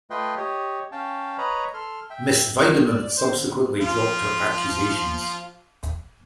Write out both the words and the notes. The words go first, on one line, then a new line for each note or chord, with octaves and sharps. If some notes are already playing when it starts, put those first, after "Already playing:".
Miss Weideman subsequently dropped her accusations.
A3 F4 B4 D#5 G5 C6
G4 C#5 D#5
C#4 F5 G5 A5
B4 C#5 D#5 A#5 B5
A4 C6 F6
E5 G5
D#3
D5
C5
D3
F3 F4